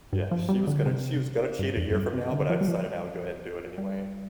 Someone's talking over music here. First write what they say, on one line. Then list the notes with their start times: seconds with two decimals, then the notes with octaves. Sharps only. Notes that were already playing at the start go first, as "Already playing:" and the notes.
Yeah, "She was gonna she was gonna cheat a year from now, but I decided I would go ahead and do it anyway.
0.13 G2
0.31 F3
0.49 G3
0.67 D3
0.86 C3
1.59 G2
1.77 F2
1.91 F2
1.94 G2
2.13 C3
2.31 D3
2.50 F3
2.61 G3
2.68 F3
3.78 G3